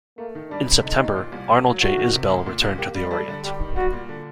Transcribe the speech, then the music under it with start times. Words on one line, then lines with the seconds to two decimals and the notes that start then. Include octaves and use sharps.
In September, "Arnold J. Isbell" returned to the Orient.
0.18 A3 A#3
0.35 D#3
0.50 G3 D4
0.67 C3
0.83 D3 D#4
0.99 D#2
1.16 A#2
1.32 C2
1.48 A#3
1.65 F#3
1.81 A3 F#4
1.97 D#3
2.13 C3
2.29 D2
2.46 A#2
2.62 C2
2.78 A#3 G4
2.95 G3
3.11 G3 A4
3.28 D3
3.44 G3 G4
3.59 D#3
3.76 G3 F#4
3.93 A#2
4.09 D3